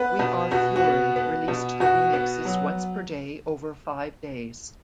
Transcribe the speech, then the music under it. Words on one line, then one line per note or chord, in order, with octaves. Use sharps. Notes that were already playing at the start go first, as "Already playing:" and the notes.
We Are Fury released the remixes once per day over five days.
Already playing: B3 B4
B2
B2 F#4
F#4
B3
B3
B2
B2 F#4
B3
F#3